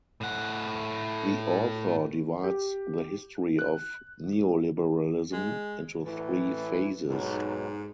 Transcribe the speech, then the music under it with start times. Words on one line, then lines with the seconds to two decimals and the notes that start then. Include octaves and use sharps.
The author divides the history of neoliberalism into three phases.
0.21 A2 F#5
2.44 G4
3.59 F#6
5.33 G#3
6.05 A2 E3
7.10 B1 G#2